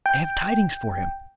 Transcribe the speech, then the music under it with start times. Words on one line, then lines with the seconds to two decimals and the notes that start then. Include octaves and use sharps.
I have tidings for him.
0.06 G5